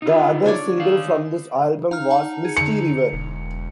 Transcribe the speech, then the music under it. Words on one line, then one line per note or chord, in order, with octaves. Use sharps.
The other single from this album was "Misty River".
D#4 F4
D4 C#5 D5
D#3 F5
D#4 F5 A#5 F6
C#5 F#5 A5
G#4 C#7
D3 C#7 F7
E1